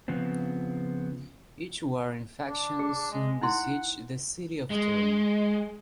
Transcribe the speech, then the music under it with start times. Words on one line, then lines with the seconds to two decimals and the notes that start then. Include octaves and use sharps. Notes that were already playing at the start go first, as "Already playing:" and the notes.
Each warring faction soon besieged the city of Turin.
0.08 C#3 F3 B3 C4
2.48 D4
2.79 G#4
3.11 G#3
3.42 D#4 E4 F#5 C6
4.71 G#3